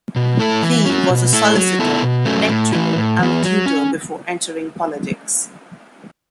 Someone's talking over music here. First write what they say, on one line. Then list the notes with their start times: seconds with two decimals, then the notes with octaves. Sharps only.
He was a solicitor, lecturer and tutor before entering politics.
0.16 B2
0.39 A3 E4 A4
0.62 E3
0.86 C#4 F#4
1.09 B2
1.33 A3 E4 A4
1.56 F#3
1.79 B3 E4 A4
2.02 B2
2.25 F#3 A3 C#4
2.49 A2
2.73 E3 A3 E4
2.96 A2
3.19 E3 B3
3.43 F#3
3.66 C#4